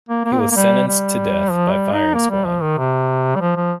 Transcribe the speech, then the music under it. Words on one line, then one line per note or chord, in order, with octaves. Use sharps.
He was sentenced to death by firing squad.
A#3
A#3
C4
A#3
A#3
G3
G3
F3
G3
D#4
A#3
G3
F3
D#3
C3
G3
F3
F3